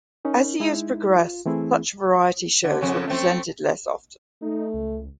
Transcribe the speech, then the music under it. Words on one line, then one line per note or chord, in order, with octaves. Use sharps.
As the years progressed, such variety shows were presented less often.
C#4 D#4 A#4
G#3 D#4 E4
F4
E3 A3 C4 E4 G#4
D3
F2 C#3 C#4
A3 C4
A3 D#4
C#2